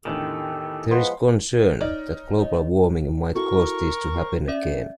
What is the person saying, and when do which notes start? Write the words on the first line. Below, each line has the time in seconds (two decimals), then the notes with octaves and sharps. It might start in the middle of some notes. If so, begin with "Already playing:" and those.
There is concern that global warming might cause this to happen again.
0.05 E2 A2 D3 D#3 G4 A4
0.91 F3 G#3 B3 C6
1.81 D#4 C#5 D5 F6 G#6
2.39 C#5 D#5
3.35 E4 F#4 A4 A#4 C#6
4.16 C5
4.48 C#4 D5 E5